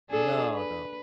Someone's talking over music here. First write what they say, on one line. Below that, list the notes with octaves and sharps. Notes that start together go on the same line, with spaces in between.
No, no.
D4 G#4 A4
B4